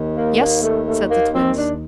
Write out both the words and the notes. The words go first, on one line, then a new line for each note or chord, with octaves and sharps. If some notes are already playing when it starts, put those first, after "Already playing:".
"Yes," said the Twins.
Already playing: D#2 D#3
A#3
A#3
A3
A3
A#3
C4
D4